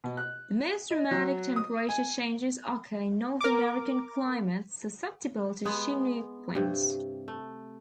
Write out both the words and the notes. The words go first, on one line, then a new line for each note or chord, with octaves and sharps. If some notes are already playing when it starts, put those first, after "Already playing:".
The most dramatic temperature changes occur in North American climates susceptible to Chinook winds.
B2
F#6
D#5
F#3
D#6
G#5
A#4 D6
G#3 B3 G#4
G2 C3
A3